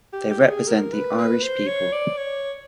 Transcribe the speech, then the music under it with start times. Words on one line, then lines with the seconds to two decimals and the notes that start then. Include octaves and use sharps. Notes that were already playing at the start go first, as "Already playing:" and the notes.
They represent the Irish people.
0.13 G4
0.31 G4
0.49 G#4
0.68 A#4
0.93 B4
1.18 B4
1.43 C5
1.67 C#5
1.92 D5
2.17 C#5